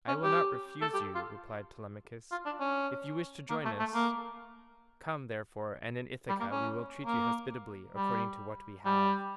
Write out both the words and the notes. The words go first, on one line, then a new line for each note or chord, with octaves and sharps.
"I will not refuse you," replied Telemachus, "if you wish to join us. Come, therefore, and in Ithaca we will treat you hospitably according to what we have."
C#4
G4
A4
G4
F4
F4
D4
C#4
A#3
A3
A3
A#3
G3
A#3
C#4
A#3
G3
G3